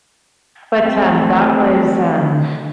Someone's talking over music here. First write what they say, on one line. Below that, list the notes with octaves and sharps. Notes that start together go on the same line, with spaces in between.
But, um, that was an
A3 C4